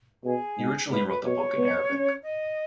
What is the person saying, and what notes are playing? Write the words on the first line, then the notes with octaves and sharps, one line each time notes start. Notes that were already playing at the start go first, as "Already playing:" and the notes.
He originally wrote the book in Arabic.
B2 G#4
G#2
G#2 B4
B4
B2 C#5
B3
C#4
D#5